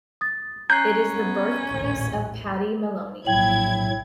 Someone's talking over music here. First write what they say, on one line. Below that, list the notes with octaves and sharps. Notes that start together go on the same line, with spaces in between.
It is the birthplace of Patty Maloney.
D#6 A6
C#4 A#5 F#6 G6 C7
B3
A#1 D#2 A2
A#1 A2 F#3 E4 G5 G#6 F#7